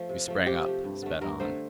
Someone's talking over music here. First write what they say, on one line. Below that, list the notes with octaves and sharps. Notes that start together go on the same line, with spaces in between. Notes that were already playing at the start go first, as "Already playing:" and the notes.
We sprang up, sped on.
Already playing: F3 A3
C3
F3 A3
C3 G4
F3 A3
G2
D3 A3
G2 A#4
D3 A3 C5